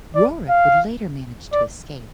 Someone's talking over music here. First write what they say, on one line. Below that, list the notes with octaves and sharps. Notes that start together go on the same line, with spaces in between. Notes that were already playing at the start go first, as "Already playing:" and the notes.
Rorik would later manage to escape.
D5
F5
D5